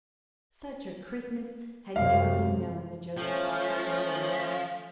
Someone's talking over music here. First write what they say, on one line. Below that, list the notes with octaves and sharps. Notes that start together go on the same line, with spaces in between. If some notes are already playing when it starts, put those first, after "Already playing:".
Such a Christmas had never been known in the Joseph household before.
F#2 C3 F5
F3 A3 C#4